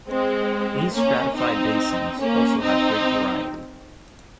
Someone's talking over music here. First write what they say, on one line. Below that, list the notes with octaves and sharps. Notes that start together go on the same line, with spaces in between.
These stratified basins also have great variety.
G#3 C4
A#3 C#4
C4 D#4
A#3 C#4
C4 D#4